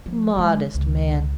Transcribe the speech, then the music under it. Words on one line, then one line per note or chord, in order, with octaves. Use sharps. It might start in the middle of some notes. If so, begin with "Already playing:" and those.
'Modest man!
F3
F#3 G#3
C#2